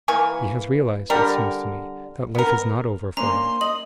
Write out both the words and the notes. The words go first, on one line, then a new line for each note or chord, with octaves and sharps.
He has realized, it seems to me, that life is not over for him.
E3 A#3 G#5 C#6
D3 G3 A#4
B3 A#4
A#3 C#4 D4 C5 A#5 C6
D#5 D#6 F#7